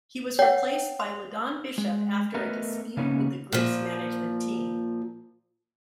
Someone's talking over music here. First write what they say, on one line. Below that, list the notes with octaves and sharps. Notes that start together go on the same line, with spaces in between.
He was replaced by LeDon Bishop after a dispute with the group's management team.
C#5 F#5 G5
C6
G#3
A3 B3 A#4 B4 D#5
C#3 A#3 B3 C#4 D#4
A#2 F3